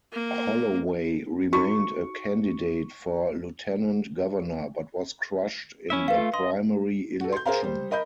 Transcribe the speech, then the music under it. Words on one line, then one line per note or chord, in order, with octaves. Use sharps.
Holloway remained a candidate for lieutenant governor but was crushed in the primary election.
A#3
D#4 F#4 C#6
C#4 E4 E5
A3 F4 B4 F5
D#5 C6
F#4 A4
C6 G6
G#4 A#4 C5 F5 A#5
G3 C5
A#4 D#5 B5 G6